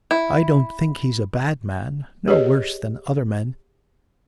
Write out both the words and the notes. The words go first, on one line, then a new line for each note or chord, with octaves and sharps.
I don't think he's a bad man--no worse than other men.
E4
G4 G#4 B4 C#5 D#5